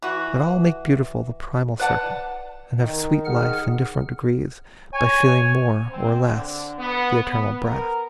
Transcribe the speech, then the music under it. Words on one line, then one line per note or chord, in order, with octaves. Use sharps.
But all make beautiful the primal circle, And have sweet life in different degrees, By feeling more or less the eternal breath.
E3 F#4
B4 D5 F#5 A5
D#3
G#4 F#5 F6
C#5 G#5
C4
D3
B3
B3
A#4